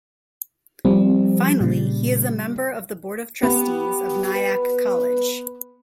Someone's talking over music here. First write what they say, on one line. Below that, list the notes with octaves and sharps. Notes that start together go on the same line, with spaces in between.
Finally, he is a member of the Board of Trustees of Nyack College.
F3 G3 C4
A#2 C#3
B3 G4
B4